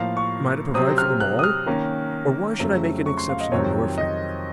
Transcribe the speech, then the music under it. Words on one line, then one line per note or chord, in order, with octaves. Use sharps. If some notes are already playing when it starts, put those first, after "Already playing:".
Am I to provide for them all? Or why should I make an exception in your favour?
Already playing: A2 F3 A#3 F5
C#6
C3 F#3 C4 D#6
F6
F#6
D#6
F6
D#3 A#3 C#4
F2 C#3 F#3 A3
C#6
C6
F5
D#5
F2 C3 D#3 F#3 C4 C#5
D#5